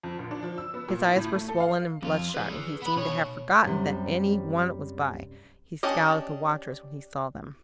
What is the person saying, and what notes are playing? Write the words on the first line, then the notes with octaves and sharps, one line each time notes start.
His eyes were swollen and bloodshot, and he seemed to have forgotten that any one was by; he scowled at the watchers when he saw them.
F2
A#1
D4
F3
E6
B3
A#2
E4
A2
A3
A4
F5
F2 F4
G#4 B4
B3 B5
B2 C#5
F#2 C3 G3
C#4 D4 G4 D#5